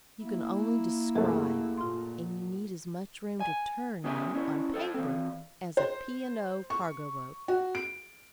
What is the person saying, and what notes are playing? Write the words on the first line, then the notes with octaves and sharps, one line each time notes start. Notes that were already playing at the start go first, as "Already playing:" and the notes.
You can only describe, and you need as much room to turn in, on paper, as a P. and O. cargo-boat.
A#3 E4
F#2 A3 G4 G#4 D#5
A#2 F4 C6
G#5
B3 C#4 G4 E5 G5 G#5
C#4 E4 C5
A4 C5 G5
E3 C4
C5
C#6
F#4
D7